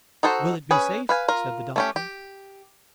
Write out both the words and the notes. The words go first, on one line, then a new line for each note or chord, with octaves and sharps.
"Will it be safe?" said the doctor.
D#4 F#4 A4 C5
C#4 G#4 B4
B4 F5 G#5
F4 A#4
A3 C#4 G4
G4